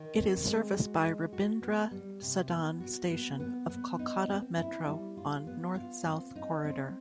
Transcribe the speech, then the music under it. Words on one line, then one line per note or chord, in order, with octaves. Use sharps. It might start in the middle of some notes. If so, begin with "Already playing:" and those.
It is service by Rabindra Sadan station of Kolkata Metro on North South Corridor.
Already playing: D#3
C4
G#3
F#4
G#3
F#4
B3
G3
C3
B3
F#4
B3
B3
B3
D#4
C4
E4
G3
F4
B3
F4
C4
D#4
C4